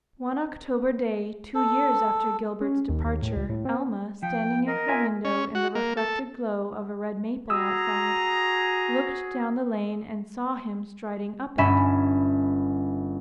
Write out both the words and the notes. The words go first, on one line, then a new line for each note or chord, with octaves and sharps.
One October day, two years after Gilbert's departure, Alma, standing at her window in the reflected glow of a red maple outside, looked down the lane and saw him striding up it!
A4
C#4
D#2
D#2
A2
C#2
A2
C4
F3 G5
A#4 D#5
F4 E5 G#5
C#4
F#4
A#3
A4
F#4 G#4 A#5 D#6 E6
G1 C#4 E5 B5